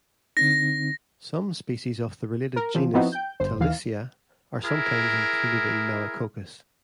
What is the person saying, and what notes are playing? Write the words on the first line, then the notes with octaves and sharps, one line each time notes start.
Some species of the related genus "Talisia" are sometimes included in "Melicoccus".
D3 C4 D#4 A#6
A#4
C3 E3 F3
F3 B3 C4 D#4 E4 F#4
G5 G6
G1 C5
D#2 E3 F5
E4 G#4 A#4